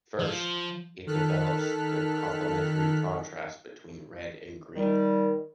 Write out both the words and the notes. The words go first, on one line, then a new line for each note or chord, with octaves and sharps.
First, it develops the complementary contrast between red and green.
F3
D#3 A4 F6 F#6 B6
D#3 G3